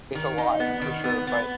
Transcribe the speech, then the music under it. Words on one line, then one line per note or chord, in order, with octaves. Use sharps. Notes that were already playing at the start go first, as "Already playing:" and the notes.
it's a lot, for sure, but
D#3
D#4
B3
D#3
B3
B3